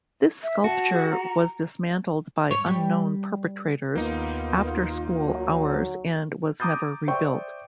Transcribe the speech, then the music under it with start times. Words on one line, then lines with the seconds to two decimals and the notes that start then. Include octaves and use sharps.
This sculpture was dismantled by unknown perpetrators after school hours and was never rebuilt.
0.43 E5
0.64 F#4 A5
0.92 G#4
1.11 A#5
2.51 C#5
2.66 G3
3.96 D#2 A#3 B3 D#4 F4
5.25 D2 F#3
6.60 A#5 D6 D#6 G6 A6
7.08 C5 D5 E5 G5 C#6